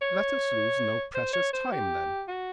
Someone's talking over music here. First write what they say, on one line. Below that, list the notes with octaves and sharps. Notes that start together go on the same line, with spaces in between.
Let us lose no precious time, then.
C#5
C5
C#5
C5
G4
F#4